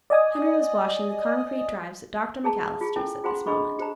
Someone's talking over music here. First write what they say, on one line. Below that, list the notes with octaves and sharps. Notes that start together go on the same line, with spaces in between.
Henry was washing the concrete drives at Dr. McAllister's at this moment.
D5 D#5 G#5 D#6
G#4 A5 A#5
F4 G4 G#4
C#4 E4 A4 G#5
F4 G#4 C5 F#5 A#5 C6
D4 G#4 A4 D#5 B5 C#6
G4 C5 A#5